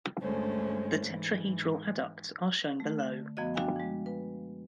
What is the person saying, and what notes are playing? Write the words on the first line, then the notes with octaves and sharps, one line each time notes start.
The tetrahedral adducts are shown below.
D2 G2 G#3 A3 C#4 C5
G#2 E3
A3
D3
F#2 F3 B3 F#4 D#5
D4 F#4 F5 G5 G#5
F3 G#3
B4